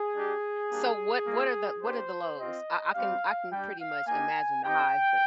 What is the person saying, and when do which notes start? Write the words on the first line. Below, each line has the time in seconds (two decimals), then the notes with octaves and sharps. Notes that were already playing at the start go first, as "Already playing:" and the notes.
So, what what are the what are the lows? I I can I can pretty much imagine the highs, but
Already playing: G#4
0.14 G#3 D4 G4
0.70 G3 A#3 D4 G4
1.26 A#3 F4
1.82 A#3 D4 G4 C5
2.38 C4 F4 D#5
2.94 G3 C4 G4 F5
3.51 G3 D4 G4 G5
3.80 F5
4.07 A#3 D#4 G4 G#5
4.63 C4 D#4 G4 G5